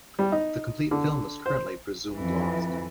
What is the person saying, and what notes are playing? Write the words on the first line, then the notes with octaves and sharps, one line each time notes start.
The complete film is currently presumed lost.
G3
D#4
D3
C5
F2 E3